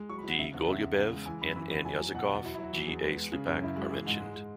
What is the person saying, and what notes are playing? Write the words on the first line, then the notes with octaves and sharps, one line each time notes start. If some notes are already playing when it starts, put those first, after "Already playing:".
D. Golubev, N. N. Yazykov, G. A. Slipak are mentioned.
Already playing: G#3
F#3 C#6
B5
F#3 F#5
C#3 E5
E2 F#5
C#3 E5
E2
C#3
G#3
E3 G#5
F#2 B5
E3 B5
E2 B5
F#3 G#5
F#3
B2 F#5
E2
F#3 E4
E4
F#3 F#4
E3 F#4
E2 G#4
G#3 B4
G#3
C#3 G#4
F#2 C#4
C#3 E4
G#3 F#4
E3 G#4
G#2
G#3
G#3